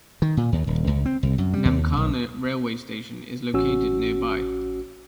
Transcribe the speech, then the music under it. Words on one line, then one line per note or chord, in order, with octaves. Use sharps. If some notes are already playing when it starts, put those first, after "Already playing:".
Namkhana railway station is located nearby.
D#3
A#2
D#2
D#1
C#2
C4
C2
F#2
G3
D#2
B1
A1 C#4 F#4 E6